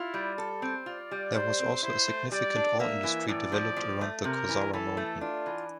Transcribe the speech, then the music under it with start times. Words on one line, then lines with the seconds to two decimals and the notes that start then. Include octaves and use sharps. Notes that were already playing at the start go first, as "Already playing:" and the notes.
There was also a significant ore industry developed around the Kozara Mountain.
Already playing: E4 F4
0.14 G3
0.38 A4
0.62 C4
0.86 F4 D5
1.11 G3
1.35 G3 C5
1.60 C4
1.83 E4 C5
2.08 A3
2.32 G3 D5
2.56 D4
2.80 A#3 E5
3.03 E3
3.28 A2 D5
3.52 F3
3.76 F3
4.01 A3
4.24 C3 A#4
4.49 E3
4.73 E3 A4
4.97 A3
5.21 D4 F4
5.46 E3